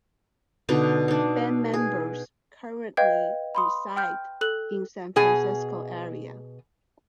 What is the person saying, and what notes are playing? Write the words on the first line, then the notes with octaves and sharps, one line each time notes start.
Band members currently reside in San Francisco area.
B2 D3 D4 D#4
D4 D#4
G#4
B4 D#5 F5 G5 G6 G#6
B5 C6 D#6
G5 F6 G6
A4 F#6 F#7
B2 G#4 G#5